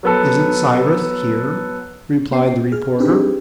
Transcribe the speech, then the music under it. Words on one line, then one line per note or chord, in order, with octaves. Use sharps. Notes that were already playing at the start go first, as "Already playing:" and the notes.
"Isn't Cyrus here?" replied the reporter.
F#3 B3 A4
B3 C#4 G5 C7
G#4 F6
C4 D4 D#4 G4 G#4 B4